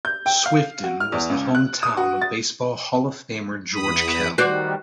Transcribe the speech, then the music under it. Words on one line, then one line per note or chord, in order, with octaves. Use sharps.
Swifton was the hometown of Baseball Hall of Famer George Kell.
G6
G5
F5
F#4
F6
E2
C#2
F#6
D#6
F#4
A6
E2 B5 D#6
D#3 G3 F#4 C5 D5